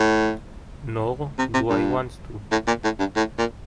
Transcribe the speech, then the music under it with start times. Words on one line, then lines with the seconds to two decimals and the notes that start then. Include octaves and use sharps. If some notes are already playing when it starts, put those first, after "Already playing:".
Nor do I want to.
Already playing: A2
1.38 C3
1.54 C3
1.70 G2
2.51 A2
2.67 A#2
2.84 A2
2.99 G2
3.16 A2
3.38 A#2